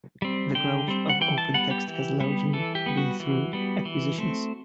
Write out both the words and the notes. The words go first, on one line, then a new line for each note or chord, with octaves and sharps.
The growth of OpenText has largely been through acquisitions.
G3 C4
D3 G5
G3 C4
F#5
E3 G5
A5
G3 B3 F#5
G4
E3
G3 B3
E3 A4
G4
G3 B3
F#4
E3
G3 B3
E3
A3 C4